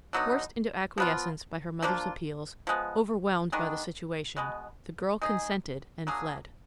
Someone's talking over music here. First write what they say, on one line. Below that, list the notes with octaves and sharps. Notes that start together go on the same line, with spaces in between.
Forced into acquiescence by her mother's appeals, overwhelmed by the situation, the girl consented and fled.
D3 F#3 B3 D#4
F3 B3 F4
F3 A#3 D4 F4
F3 G#3 B3
D#3 G#3 B3 D4
B2 G#3 B3
G#3 D#4 G#4
F#3 A#3 D4 G#4